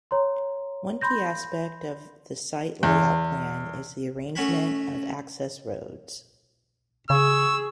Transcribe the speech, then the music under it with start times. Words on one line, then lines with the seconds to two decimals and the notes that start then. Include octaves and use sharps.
One key aspect of the site layout plan is the arrangement of access roads.
0.11 C#5 A#5 C6
1.01 B5 C6 G6 A#6
2.83 E2
4.35 A3 C#4 F#4 F#5 G5 B5
7.10 C#3 G#4 C#6 E6